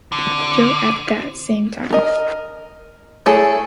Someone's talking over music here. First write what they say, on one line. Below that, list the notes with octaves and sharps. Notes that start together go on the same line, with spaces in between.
Joe at that same time.
D3
A#4 D#5
A3 E4 G#4 A4 C#5